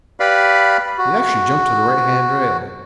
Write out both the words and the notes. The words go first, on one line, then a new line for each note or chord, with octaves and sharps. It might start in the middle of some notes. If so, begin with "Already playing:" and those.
He'd actually jumped to the right-hand rail.
G4 B4 D5 F5 B5
F#4